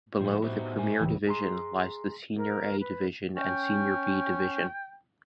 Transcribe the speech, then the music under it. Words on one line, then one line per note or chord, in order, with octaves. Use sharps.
Below the Premier Division lies the Senior A Division and Senior B Division.
A2 F3 A3
C3 B3 D#4 F#4
G2 A#4 G#5
C#2 E3 G4
G#4 A#5 C6
A#4
B4
C#4 G5